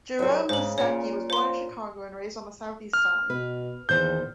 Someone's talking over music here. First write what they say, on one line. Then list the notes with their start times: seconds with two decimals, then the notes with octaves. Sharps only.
Jerome Listecki was born in Chicago and raised on the Southeast Side.
0.19 C2 F#3 F#4
0.49 G#2 C#3 C5 F#7
0.78 A#2 C#4 C#5
1.30 F3 C5 C6
2.93 F6
3.30 B2 B4
3.89 E2 A#2 D#3 C5 G6